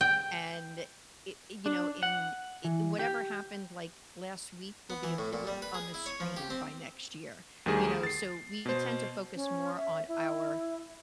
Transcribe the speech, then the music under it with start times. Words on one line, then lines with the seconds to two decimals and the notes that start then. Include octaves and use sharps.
and it it you know, in it whatever happened, like, last week will be a blip on the screen by next year. You know, so we tend to focus more on our
0.01 G5
1.66 D4
2.03 F#5
2.65 E3
2.99 G4
4.90 B3
5.03 E3
5.18 A2
5.33 A#2
5.47 G3
5.62 B4
5.74 G#4
5.94 E4
6.06 C#5
6.20 F3
6.37 G4
6.50 C4
7.66 D2 D#3 G3 G#4
8.03 A6 C7
8.65 B2 C5
9.35 C#4
9.76 E5
10.08 E4